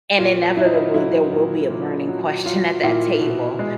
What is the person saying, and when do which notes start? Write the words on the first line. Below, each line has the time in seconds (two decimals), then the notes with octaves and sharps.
and inevitably, there will be a burning question at that table.
0.18 A#2 F4
0.57 F#3 E4
0.66 D#4
0.75 E4
0.94 F#3 E4
1.32 A#2
1.70 A#2
2.08 F#3
2.45 F#3 F4
2.83 A#2 E4
3.21 B2
3.59 G#3